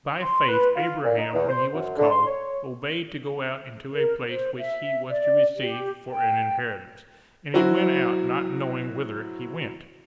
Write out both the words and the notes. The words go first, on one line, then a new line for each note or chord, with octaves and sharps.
By faith Abraham when he was called, obeyed to go out into a place which he was to receive for an inheritance; and he went out not knowing whither he went.
C6
B4
F4
A#2
D#4
E2
C5
F#2
D3
C6
C#5
A#4
C5
E5
D5
G4
G5
F#3 E4 F#4 C5